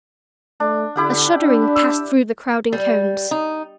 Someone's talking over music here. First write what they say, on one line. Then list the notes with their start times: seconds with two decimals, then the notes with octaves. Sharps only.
A shuddering passed through the crowding cones.
0.60 A3 D4
0.96 D3 E4 G4 F#5
1.42 D4
1.76 E6
2.73 G3
3.31 D#4